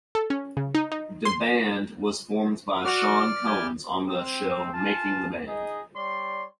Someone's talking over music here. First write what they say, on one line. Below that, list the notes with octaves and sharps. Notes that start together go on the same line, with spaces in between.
Da Band was formed by Sean Combs on the show Making the Band.
A4
C#4
C#3
D#4
D#4
C6
F#4 D5 F6
E4 G4 G#5
C4
F4 G#5 A5
D#4 G#4 D#5
G3 C#5 D5 C6